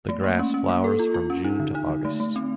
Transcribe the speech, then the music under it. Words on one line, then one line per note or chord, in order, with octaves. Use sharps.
The grass flowers from June to August.
A3
A#3
C#4
C#4
A#3
A4
F4
F4
C#4
D#4
D3
D#4
D3
A3
A3
C4